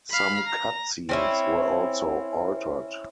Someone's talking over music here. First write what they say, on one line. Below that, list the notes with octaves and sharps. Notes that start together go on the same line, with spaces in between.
Some cutscenes were also altered.
F5 B5
A#5
C4 C#4 E4